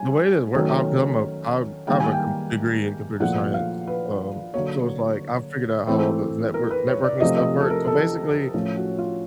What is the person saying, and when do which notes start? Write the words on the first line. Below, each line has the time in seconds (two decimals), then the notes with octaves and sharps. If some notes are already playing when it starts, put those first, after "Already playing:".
the way that it work I 'cause I'm a I I have a com degree in computer science, um, so it's like I've figured out how all the network networking stuff works so, basically,
Already playing: G3 C#4 G#5
0.54 D#3 F#3 A3 C#4
1.87 D#3 G3 A#3 G5
2.00 G#5
2.12 G5
3.20 A#2 F3 A3 F#5
3.54 F5
3.87 B4
4.54 D3 F#3 A#3 C#5
5.88 E3 A3 C4
6.54 A#4
6.71 B4
6.87 C#5
7.04 D5
7.20 C3 F3 A3 C4 D#5
7.37 D#5
7.61 A4
7.70 A#4
7.87 A4
8.54 A2 F3 A3 C#4
8.76 F#4
8.98 F4